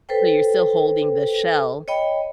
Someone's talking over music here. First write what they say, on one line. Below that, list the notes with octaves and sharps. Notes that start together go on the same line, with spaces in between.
So, you're still holding the shell,
A4 B4 C5 G5
C#5 D#5 G5 B5